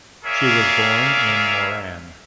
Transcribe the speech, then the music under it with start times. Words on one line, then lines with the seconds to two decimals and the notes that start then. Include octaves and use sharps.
She was born in Moran.
0.25 G#4 A#4 C#5 D5 E5 F5